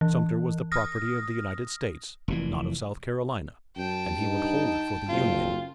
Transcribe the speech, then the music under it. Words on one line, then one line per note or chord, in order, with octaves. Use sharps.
Sumter was the property of the United States, not of South Carolina, and he would hold it for the Union.
E3
D#6 F6 A#6
F1 A#2 E3
F#2 G5 A5
G2 D#4
F#1 G3 A3 C4 F4